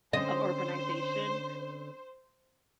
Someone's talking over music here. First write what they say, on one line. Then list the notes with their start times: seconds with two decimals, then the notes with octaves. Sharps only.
of urbanization,
0.13 D3 C4 C#4 C5 D#5